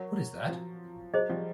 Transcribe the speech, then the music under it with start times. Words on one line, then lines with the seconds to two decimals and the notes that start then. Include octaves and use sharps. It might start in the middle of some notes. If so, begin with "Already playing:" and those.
What is that?
Already playing: F#3 A#4 C#5 F#5
0.49 F3
1.14 F#3 G#4 C5 D#5
1.29 F3 G3